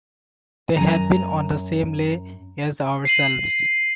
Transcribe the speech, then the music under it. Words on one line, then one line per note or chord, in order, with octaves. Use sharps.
They had been on the same lay as ourselves.
F#2 G#5 A#5
C7 D#7 F#7